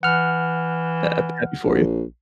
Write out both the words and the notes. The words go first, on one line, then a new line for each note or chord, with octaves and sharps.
Hap happy for you.
E3 F#5 F6
A#1